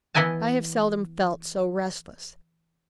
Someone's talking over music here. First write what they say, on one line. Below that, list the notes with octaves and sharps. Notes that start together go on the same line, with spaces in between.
I have seldom felt so restless.
E3 B3 E4 D#5 G#5 A5